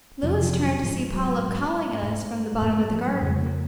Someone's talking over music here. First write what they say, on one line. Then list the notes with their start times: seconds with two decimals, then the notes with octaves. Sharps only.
Louis turned to see Paula calling us from the bottom of the garden.
0.23 F2 C3 F3
0.43 F3
0.63 F#3
0.83 G#2 F3
1.13 F#3
1.43 G#2
2.02 G#2
2.62 G#2 A#3
2.78 A#3
2.92 F3
3.07 F#3
3.22 F2 C#3 G#3
3.42 A#3